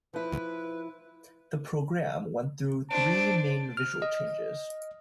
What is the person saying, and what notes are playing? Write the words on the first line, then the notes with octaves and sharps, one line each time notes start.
The programme went through three main visual changes.
F3 E4 B4
D4 C5 A5 D7
F6
D#5